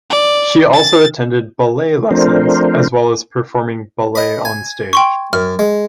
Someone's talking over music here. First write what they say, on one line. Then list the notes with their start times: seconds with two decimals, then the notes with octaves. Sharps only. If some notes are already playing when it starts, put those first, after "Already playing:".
She also attended ballet lessons, as well as performing ballet on stage.
0.10 D5
0.73 A6
2.11 F3 A3 C4 D4 A#4 C5
4.15 D#5 B5
4.45 G#5
4.93 G5 C6 C#6
5.33 F#2 F6
5.59 G#3